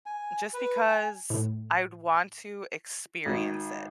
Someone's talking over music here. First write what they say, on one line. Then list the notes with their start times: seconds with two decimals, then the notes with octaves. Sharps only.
just because I'd want to experience it.
0.06 G#5
0.54 B4
0.88 G#5
1.30 A2
3.25 G#1 D#3